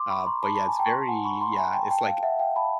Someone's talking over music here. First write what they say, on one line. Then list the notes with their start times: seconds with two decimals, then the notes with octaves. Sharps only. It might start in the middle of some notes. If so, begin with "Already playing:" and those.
Uh, but, yeah, it's very yeah, it's like
Already playing: C6 D6
0.10 B5 C#6
0.27 A#5 C6
0.43 A5 B5
0.55 A5 B5
0.68 G#5 A#5
0.79 G5 A5
0.86 C#6
0.92 A#5 C6
1.01 A5
1.08 F#5 G#5
1.24 B5 C#6
1.41 A#5 C6
1.52 B5
1.58 G#5 A#5
1.74 G5 A5
1.91 G5 A5
2.07 F5
2.23 E5 F#5
2.39 F5 G5
2.56 A5 B5